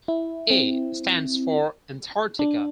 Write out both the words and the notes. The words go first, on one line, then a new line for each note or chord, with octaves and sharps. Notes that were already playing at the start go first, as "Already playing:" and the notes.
'A' stands for Antarctica.
E4
C4
D4